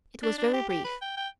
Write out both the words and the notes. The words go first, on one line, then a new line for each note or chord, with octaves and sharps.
It was very brief.
D4
D4
G4
G4
B4
G5
G5